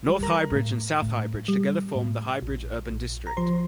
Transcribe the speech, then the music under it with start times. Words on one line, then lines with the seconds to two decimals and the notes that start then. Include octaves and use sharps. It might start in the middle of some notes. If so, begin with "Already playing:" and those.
North Highbridge and South Highbridge together formed the Highbrige Urban District.
Already playing: A#1
0.08 G3
0.23 A#4 A#5
0.55 A2
1.02 A2
1.48 G3
1.95 A2
2.42 A#1
2.91 A#1
3.27 A#5
3.37 F3 C5 C6